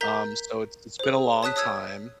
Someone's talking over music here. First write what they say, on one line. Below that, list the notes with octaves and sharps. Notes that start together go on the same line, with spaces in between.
um, so, it's it's been a long time,
A#4 A#5 G6 B6
G#4 C5
C#5 A5 D#6 F#6 B6
C#5 D#6 E6 G#6